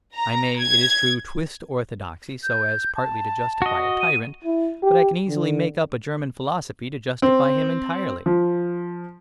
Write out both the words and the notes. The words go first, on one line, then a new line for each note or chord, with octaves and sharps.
I may, it is true, twist orthodoxy so as partly to justify a tyrant. But I can easily make up a German philosophy to justify him entirely.
A#5
G#6
G6
A5
F#4 D#5
D#7
E4
G4
D3
C4
F3